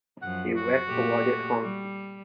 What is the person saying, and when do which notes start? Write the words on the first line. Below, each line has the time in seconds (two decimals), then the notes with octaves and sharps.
He was awarded Hon.
0.22 F#2 F3 F#5
0.57 F#4
0.88 A#2 A3 G4
1.61 G3